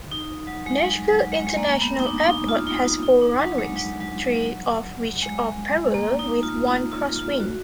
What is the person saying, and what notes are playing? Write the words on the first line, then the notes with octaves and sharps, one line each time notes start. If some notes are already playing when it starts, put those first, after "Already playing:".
Nashville International Airport has four runways, three of which are parallel with one crosswind.
D#4
F#3
G#3
F#3
F#3
G#3
G#3
A#3
B3
D#4
D4
D#4
F4
D#4
F4
D#4
D4
F#3
G#3
F#3
F#3
F#3
G#3
A#3
D#4
F4
F4
F4
F4
F#4